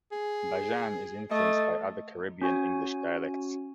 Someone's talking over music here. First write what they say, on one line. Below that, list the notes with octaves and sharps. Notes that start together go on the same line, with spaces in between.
Bajan is influenced by other Caribbean English dialects.
G#4
A3 D#5
C#4 F#4 G#5